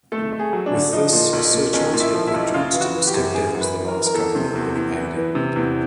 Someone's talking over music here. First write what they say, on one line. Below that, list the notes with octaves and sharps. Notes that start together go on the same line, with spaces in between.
With this Sir Charles Hepburn Johnston stepped down as the last Governor of Aden.
A3 A4
A3
G#4
F#3
D4
D3
F3 D#4
A#2
B1
A#2
B1 C#4
A#2
E4
F3
E4
B1
C#3 F4
E3
F#4
E3
G4
F#2
E3 G#4
F#2
B4
E3
A#4
E3
A#4
E2 A4
C3
E2
E2
E3
E3
C3
E2